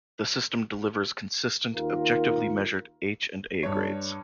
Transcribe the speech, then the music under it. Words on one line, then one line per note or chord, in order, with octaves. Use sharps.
The system delivers consistent, objectively measured, H and A grades.
D#2 F4 A#4
G2 C#5